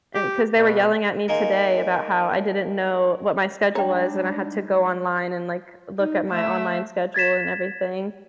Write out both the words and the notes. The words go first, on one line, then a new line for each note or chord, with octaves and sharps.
and 'cause they were yelling at me today about how I didn't know what my schedule was, and I had to go online and, like, look at my online schedule and everything
G4
B2
A#3 D#4 G#4 C6
G3 G#3 D4 D#4 C#5 G5 A#5
D#4
A3 E5
G#6 A6 B6 E7